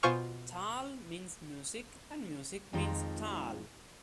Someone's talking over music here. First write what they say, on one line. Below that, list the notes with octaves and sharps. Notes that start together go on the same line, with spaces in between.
"Taal" means music and music means "Taal".
B2 F4 C5 G#5 C#6 F6
F2 D#3 F3 G#3 G5 A#5